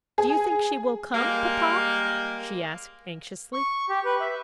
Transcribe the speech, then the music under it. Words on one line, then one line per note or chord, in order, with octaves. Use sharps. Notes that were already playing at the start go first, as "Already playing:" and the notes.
"Do you think she will come, papa?" she asked anxiously.
G#4
G3 G#3 A#3
C#6
G4
B4
E5